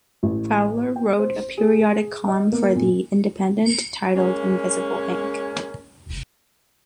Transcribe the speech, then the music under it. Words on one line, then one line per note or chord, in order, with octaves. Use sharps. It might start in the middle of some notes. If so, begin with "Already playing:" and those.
Fowler wrote a periodic column for "The Independent" titled "Invisible Ink".
A1
G5
C5
G#4
D#5
A#3
A#2
G#3 A#3 C#4